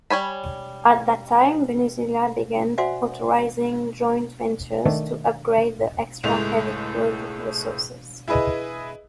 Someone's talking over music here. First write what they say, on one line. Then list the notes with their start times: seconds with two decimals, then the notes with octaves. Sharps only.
At that time Venezuela began authorizing joint ventures to upgrade the extra-heavy crude resources.
0.10 G3 C#5 G#5 B5
2.78 F#4 C5 D5 E5 F#5 G#5
4.85 D#3 A3 D4 A4
6.23 C#2 A2 G#3 A3 F7
8.28 E4 G#4 B4 D#5